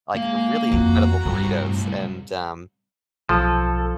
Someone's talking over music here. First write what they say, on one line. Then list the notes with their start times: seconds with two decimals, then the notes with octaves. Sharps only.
like, really incredible burritos, and, um,
0.15 G#3 A#3 F5
0.72 F2 E3 F#4 A#5
1.25 C2 G2 G3
1.62 A2
3.29 B1 F3 A4